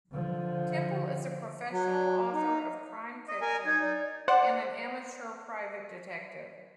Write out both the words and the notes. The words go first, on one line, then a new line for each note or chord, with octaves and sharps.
Temple is a professional author of crime fiction and an amateur private detective.
D3 F3
F#3
D#4
D#5
A#4 G#5
D#4 G#6
D5
C5 D5 F#5